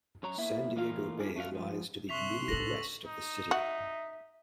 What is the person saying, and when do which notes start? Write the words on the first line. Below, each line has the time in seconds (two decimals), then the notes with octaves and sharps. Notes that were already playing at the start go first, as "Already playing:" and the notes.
San Diego Bay lies to the immediate west of the city.
0.23 F#2 C#5 A#5
0.38 A#3 B3 E4 E5
0.76 A2 E3 A#3 F4 A#4 F5
1.19 G3 D4 F4 G#4
1.36 A3 C#4 F#4 F5
1.51 G#2 F3
2.09 C3 E5 C6 C#6 F#6 B6 F7
2.48 A1 C#4 A4 A#6 F#7
3.06 D#4
3.51 F#4 E5